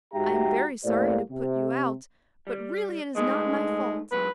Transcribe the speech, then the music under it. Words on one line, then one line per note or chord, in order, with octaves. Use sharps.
I am very sorry to put you out, but really it is not my fault.
G#2 F#4 G4 E5 G5 A#5
A2 A#3 G4 C5 D5
C3
G3
G#3 A3 D#4 B4
B1 F#3 G#3 B4